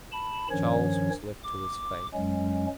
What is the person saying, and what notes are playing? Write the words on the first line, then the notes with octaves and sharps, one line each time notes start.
Charles was left to his fate.
A5 B5
G2 D#3 F3 C#4 C#5
D6
F#2 F#3 G#3 C#4